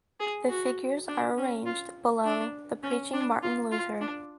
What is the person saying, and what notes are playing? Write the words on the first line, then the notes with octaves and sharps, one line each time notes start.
The figures are arranged below the preaching Martin Luther.
G#4
F#4
D4
C#4
F4
D4
C#4
D4
F4
F4
D4